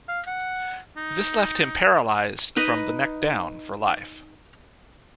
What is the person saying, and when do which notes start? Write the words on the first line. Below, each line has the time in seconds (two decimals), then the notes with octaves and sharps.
This left him paralyzed from the neck down for life.
0.08 F5
0.27 F#5
0.97 D#4
2.56 D#4 B4 D#5